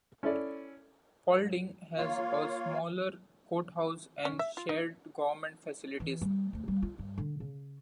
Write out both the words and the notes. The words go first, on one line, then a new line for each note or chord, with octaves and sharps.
Paulding has a smaller courthouse and shared government facilities.
C#4 E4 A4 D5
A#3 F4 C#5 F5
C#4
E5
F4
D#4
E3
G3
D2
G3
F4
G2
D3
C#3